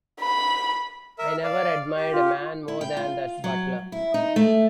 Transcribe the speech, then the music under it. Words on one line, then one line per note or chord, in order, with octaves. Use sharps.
I never admired a man more than that butler.
B5
A#4 E5
D5 F5
G4
F4
E4
G5
F4
F#3
E4
D#4
A3